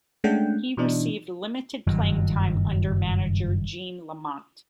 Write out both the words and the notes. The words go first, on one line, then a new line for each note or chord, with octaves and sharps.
He received limited playing time under manager Gene Lamont.
G#3 A3 C#4 D4 F#5 G5
B2 E3 D4 D#4
F#1 G2 D#3 F#3